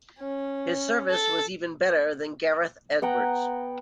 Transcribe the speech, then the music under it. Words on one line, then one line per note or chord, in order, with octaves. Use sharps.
His service was even better than Gareth Edwards.
C#4
A4
B3 F#5 G5 A#5